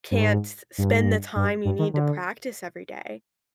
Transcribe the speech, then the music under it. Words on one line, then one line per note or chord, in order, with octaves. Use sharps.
can't spend the time you need to practice every day
G2
G#2
G2
G#2
G2
G2
G2
D#3
D3